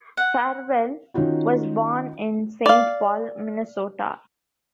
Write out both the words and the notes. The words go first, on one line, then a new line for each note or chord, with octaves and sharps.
Farwell was born in Saint Paul, Minnesota.
F#5
D#3 C#4 D#4 F4 F#4
D5 F5